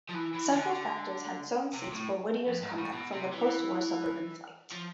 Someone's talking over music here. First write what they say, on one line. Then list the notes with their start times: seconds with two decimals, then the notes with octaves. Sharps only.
Several factors had sown seeds for Whittier's comeback from the post-war suburban flight.
0.09 F3
0.14 E3
0.34 E3
0.54 D3
1.73 C3
1.93 A2
2.47 F2
2.62 G#2
2.78 A2
2.92 B2
3.12 C3
3.33 E3
4.72 F3